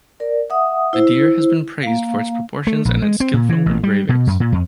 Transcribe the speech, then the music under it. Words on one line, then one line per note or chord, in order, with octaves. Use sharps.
The deer has been praised for its proportions and its skillful engravings.
A#4 D5
E5 F#5 D#6
E4 C5
A#3 F5
A3
A#1
G#3
C4
A#2
E3
A1
G3
B2
F#2
A#2
F2